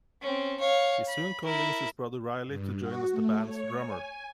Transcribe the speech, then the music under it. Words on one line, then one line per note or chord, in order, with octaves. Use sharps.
He soon convinced his brother Riley to join as the band's drummer.
C4 C#4
C#5 F5
B5
E4 A#4
G2
F#4
A3
C#5
G#5